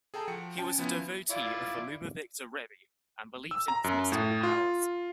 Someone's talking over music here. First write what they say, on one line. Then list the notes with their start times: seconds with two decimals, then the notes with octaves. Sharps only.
He was a devotee of The Lubavitcher Rebbe and believed in his mystical powers.
0.14 G#4 A4 G5 A5 A#5
0.28 F3 F#4 G5 C#7
0.57 C#4 G5 A5
0.78 F3 B3 C#4 E4
1.30 E4 F4 D5
3.51 E6
3.68 A#5
3.84 F#2
4.12 A2
4.43 F4